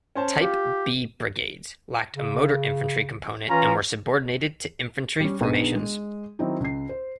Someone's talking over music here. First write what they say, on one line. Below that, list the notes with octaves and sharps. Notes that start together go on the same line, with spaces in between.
"Type B" brigades lacked a motor infantry component and were subordinated to infantry formations.
C#4 C5 A5
F4 G4
C#3
E3 C#4 F4 A#5
G3 C#4
B1 B3 D4 D#4 G#4 D#7
G#3
D#3 F#3 C4 D#4 E4
C#2 C7
C5